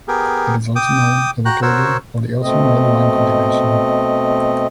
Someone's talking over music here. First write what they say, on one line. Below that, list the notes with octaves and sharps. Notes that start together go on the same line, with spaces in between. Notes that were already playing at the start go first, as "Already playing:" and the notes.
It is also known as the cradle of the Austrian red wine cultivation.
B3 G4 G#4 A#4
G5 D6 D#6
F#4 G5 A#5 F#6
F#4 A#4 C5 C#5 F#5 E6
B2 A3 C4 D#5